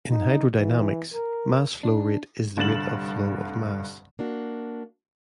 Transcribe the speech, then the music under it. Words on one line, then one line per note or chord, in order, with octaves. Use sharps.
In hydrodynamics, mass flow rate is the rate of flow of mass.
D#4
E3
A#4
D4
F1 G2 D3 A6 E7 F#7
A#3 D4 F#4